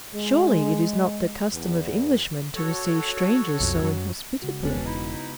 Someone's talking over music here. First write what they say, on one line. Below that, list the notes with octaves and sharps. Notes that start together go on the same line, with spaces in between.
"Surely it is not the custom of Englishmen to receive strangers so inhospitably."
G#3
E2
F#4 A4 C#5
B1 F2
F#2 F#3
C#3 G#3 F#4
E1 B3 C#4 D4
D#4 E4